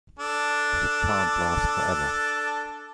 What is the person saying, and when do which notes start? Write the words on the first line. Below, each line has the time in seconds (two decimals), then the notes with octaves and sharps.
But it can't last for ever.
0.19 D4 A4